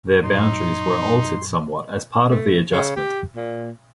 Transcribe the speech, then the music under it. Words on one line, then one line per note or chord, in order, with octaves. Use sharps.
Their boundaries were altered somewhat as part of the adjustment.
F#2 A#2 F#3 D#4 C6
A3
C#3
G4
A#2